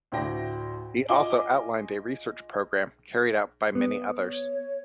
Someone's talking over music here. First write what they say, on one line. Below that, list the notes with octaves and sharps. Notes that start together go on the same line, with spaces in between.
He also outlined a research program carried out by many others.
D2 A2 E4 D5 G5 A#6
F4 D#5 G#5 D6 G7
B3
C#5